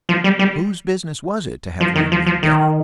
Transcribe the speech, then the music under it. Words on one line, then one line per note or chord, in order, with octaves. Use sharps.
Whose business was it to have learned me better?
F3
G3
G3
F3
D#3
F3
F3
D#3